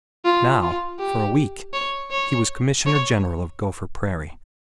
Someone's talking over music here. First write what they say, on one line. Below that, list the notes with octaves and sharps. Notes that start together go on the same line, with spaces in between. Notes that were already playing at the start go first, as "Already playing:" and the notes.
Now, for a week, he was commissioner general of Gopher Prairie.
F4
F4
G4
C#5
C#5
C#5